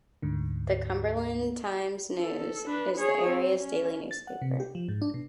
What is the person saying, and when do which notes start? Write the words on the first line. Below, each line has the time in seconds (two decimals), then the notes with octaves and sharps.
The "Cumberland Times-News" is the area's daily newspaper.
0.22 D2 G#2 D3
2.21 A4
2.66 D4 B4
2.98 G#4 C#5
3.29 C4
3.60 C#4
4.11 A6
4.27 F#5
4.42 C3
4.60 G4
4.75 F3
4.88 G#2
5.02 D4
5.14 B2